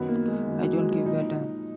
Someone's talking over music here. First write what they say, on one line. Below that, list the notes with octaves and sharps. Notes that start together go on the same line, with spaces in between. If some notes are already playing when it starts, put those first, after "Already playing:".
I don't give a damn.
Already playing: F#2 D#3 B3
A#3
G#3
F#2 D#3
F#3
G#3
F#3
A#2 F3 D#4